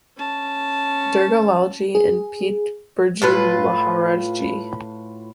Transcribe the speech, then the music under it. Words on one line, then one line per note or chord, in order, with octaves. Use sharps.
Durga Lal Ji and Pt Birju Maharaj Ji.
C#4 A5
G#4
A2 F4 B4